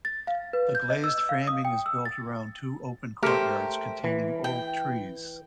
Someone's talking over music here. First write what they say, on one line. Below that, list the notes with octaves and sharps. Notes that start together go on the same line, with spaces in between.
The glazed framing is built around two open courtyards containing old trees.
A6
F5
B4
G6
D#5
E6
E6
F5
D#6
G5
E6
A6
A3 G4 A#4 C5
E3
G5